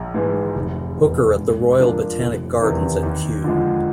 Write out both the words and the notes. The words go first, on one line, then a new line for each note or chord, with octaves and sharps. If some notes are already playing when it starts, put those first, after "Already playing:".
Hooker at the Royal Botanic Gardens at Kew.
Already playing: A#1
G#2 E3 G#3
F1
E2 B2
G#2
F3 A#3 D4 F4
F1
E2 C3 D#3
D#2
D3 F3 G#3